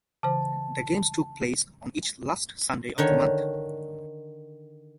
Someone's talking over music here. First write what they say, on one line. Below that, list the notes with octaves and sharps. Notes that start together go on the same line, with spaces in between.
The games took place on each last Sunday of the month.
C#3 E3 C5 A5
D3 D#3 C#5